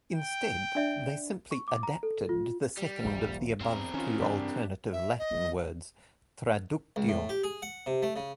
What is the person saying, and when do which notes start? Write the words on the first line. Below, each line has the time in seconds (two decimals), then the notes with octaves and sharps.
Instead, they simply "adapted" the second of the above two alternative Latin words, "traductio".
0.13 G5
0.75 D4 D5 E5
1.51 C#6
1.68 D6
1.83 A#5
2.03 A4
2.29 F4
2.77 G3
3.05 D#1 A#1
3.61 E2 C4 A#4
3.94 D#3 C#4 F4
4.20 G2 C#3 E3 D4 G4
4.93 E5
5.19 D#5
6.96 C#2
7.09 A2
7.29 G4
7.43 G#4
7.62 F#5
7.86 C3
8.03 A3
8.16 C#3